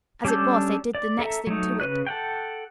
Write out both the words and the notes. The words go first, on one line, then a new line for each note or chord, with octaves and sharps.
As it was, they did the next thing to it.
G3 C#4 D4 A4 G6
D5
A4 E5 A#5
F#3 A3 D#4
C#3 F4 B4 F#6
A4 F#5 G5